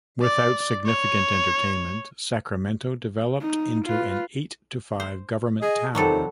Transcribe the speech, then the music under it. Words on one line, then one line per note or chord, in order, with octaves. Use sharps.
Without significant entertainment, Sacramento developed into an eight-to-five government town.
D5
C#5
D#4
F4 B4
C5
G#4 D#5
F2 C3 D#3 F#3 G3 A4